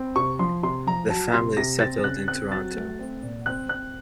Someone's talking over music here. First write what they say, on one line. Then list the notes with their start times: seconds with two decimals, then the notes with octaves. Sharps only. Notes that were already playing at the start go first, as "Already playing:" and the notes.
The family settled in Toronto.
Already playing: C4
0.16 C3 C#6
0.39 F3 C6
0.63 C3 C6
0.87 F3 A#5
1.10 F#3 A5
1.34 C3 C6
1.57 C3 A#6
1.80 C4 A6
2.04 C#3 F#6
2.28 C4 F#6
2.52 F#3 A6
2.75 A3
2.99 C4
3.23 A#2
3.46 C4 F#6
3.69 C4 F#6